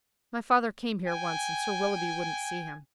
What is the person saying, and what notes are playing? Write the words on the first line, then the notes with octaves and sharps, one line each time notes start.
My father came here once, and Sir Willoughby wouldn't see him.
G5 G#5